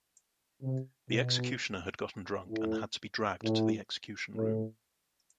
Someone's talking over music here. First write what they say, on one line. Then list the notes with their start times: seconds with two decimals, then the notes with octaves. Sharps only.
The executioner had gotten drunk and had to be dragged to the execution room.
0.63 C3
1.10 B2
2.50 A2
3.43 A2
4.35 A2